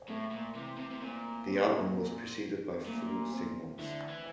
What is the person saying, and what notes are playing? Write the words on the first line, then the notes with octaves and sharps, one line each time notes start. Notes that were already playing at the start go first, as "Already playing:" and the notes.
The album was preceded by four singles.
Already playing: C5
A2 A3
A#2
C3 E3
C3
C3
A#2 C4
C4
C4
F3
A#2 A3
C4
D3 E4
E3